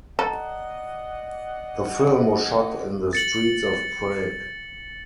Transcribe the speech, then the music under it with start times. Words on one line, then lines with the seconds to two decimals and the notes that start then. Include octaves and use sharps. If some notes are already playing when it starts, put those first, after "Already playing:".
The film was shot in the streets of Prague.
0.19 A4 D5 D#5 F#5 A#5
3.13 A6 C#7 F#7